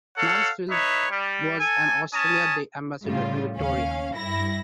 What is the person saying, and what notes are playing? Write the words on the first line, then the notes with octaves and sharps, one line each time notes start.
Mansfield was an Australia Day ambassador in Victoria.
A4 C#5 F5 F#5
D#4 B4 C#5 E5
G3
A4 G#5
C#4 G#5 A5 D#6
A2 C#3 G3 F4
D#2 C#4 F5
G2 E4 A#6